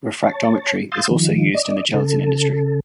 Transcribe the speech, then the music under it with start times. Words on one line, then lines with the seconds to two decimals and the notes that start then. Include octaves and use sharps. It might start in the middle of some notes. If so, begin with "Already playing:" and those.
Refractometry is also used in the gelatin industry.
0.23 C#5 A5
0.92 F5 C6 D#6 E6 G6 A6
1.11 D#3 F3
1.55 D5 D#5
1.94 C#3 A4